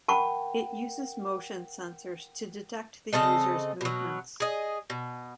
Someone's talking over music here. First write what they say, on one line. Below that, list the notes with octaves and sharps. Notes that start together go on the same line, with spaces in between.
It uses motion sensors to detect the user's movements.
A#4 F#5 G5 A5 B5 C#6
C#3 C4 A4 D#5
B2 F#3
G#4 D#5
B2